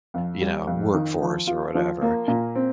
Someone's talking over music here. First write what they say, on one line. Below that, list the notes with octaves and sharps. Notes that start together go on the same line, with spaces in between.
you know, workforce or whatever?
F2
G3
F2
D#3
F3
F4
F3
A#3
A#2
C4